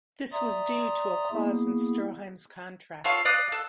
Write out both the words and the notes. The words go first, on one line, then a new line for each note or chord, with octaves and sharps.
This was due to a clause in Stroheim's contract.
D5 E5 A#5 C6 D#6
A#3 B3 E4 G#4
F4 A4 C#5 F5
D5 F5 D#6 F#6
A4